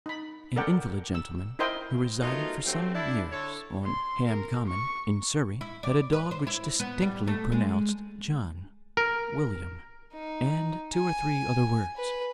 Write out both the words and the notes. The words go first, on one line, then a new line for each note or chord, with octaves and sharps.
An invalid gentleman, who resided for some years on Ham Common, in Surrey, had a dog which distinctly pronounced John, William, and two or three other words.
D#4 B5
A4 A#4 D5 F#5 G5
E6
E4 A#4 C5 D#5 G5 C6
F#3 A3 B3 D#4 F4 A#4
G2 F#3 A3 C4
D4 E4
D3 A4 C#5
C6
A#4
C#6
E4
D5
B4
C5
E4
B3
G3
A3
G#3
A#4
D#4
G#5
B4